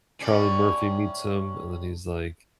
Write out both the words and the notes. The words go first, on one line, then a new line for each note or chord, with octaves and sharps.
Charlie Murphy meets him and then he's like,
A2 C#4 D5